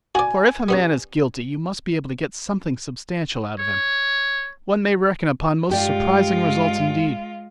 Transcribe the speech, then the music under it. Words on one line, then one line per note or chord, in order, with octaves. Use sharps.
For if a man is guilty, you must be able to get something substantial out of him; one may reckon upon most surprising results indeed.
F#4 D5 G#5
G3 B3 C#4
C#5
G2 G#3 F4 G4 D5